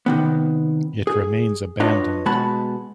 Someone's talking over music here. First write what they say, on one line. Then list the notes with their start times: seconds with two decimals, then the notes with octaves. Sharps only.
It remains abandoned.
0.06 C3 D#3 B3
1.07 G#4
1.80 D4 F4 B4 C#5 D#5
2.26 B2 G#3 F#4 A5 B5